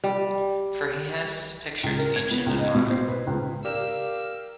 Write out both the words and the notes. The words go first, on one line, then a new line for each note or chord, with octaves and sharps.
For he has his pictures, ancient and modern.
G3
C#2
A#4
G#6
B3
C#2
D#5
B2
C5
B4
C#2
G4 A#4 D5 F5 E6 E7